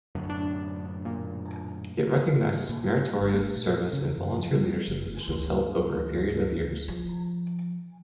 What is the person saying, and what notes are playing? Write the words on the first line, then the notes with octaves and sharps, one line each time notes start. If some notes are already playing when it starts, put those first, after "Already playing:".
It recognizes meritorious service in volunteer leadership positions held over a period of years.
F#2 A2 D3
D4
A#2
A#2
G1
A3
A#2
C#3
F#2
F3
G3
F#1
D2
F3